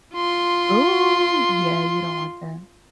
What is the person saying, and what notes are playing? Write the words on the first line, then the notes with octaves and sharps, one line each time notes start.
Ooh, yeah, you don't want that.
F4 C6